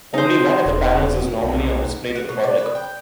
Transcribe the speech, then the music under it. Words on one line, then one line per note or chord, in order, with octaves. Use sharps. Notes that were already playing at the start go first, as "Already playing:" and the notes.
Only one of the panels is normally on display to the public.
D#4 C5
E1
B1
F#5
B2
D5
B4
G5